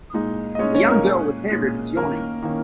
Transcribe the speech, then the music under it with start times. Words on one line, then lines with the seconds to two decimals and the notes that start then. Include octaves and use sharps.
A young girl with hair ribbons yawning.
0.14 A#2 G#3 D#4
0.55 D#5
0.59 A#2 G#3 C#4 D#4 C#5
0.75 C#4 C#5
0.90 A#3 A#4
1.05 A#2 G#3 C#4 G#4
1.51 A#2 G#3 C#4
1.97 D#3 A#3 C#4 A#4
2.42 D#3 A#3 C#4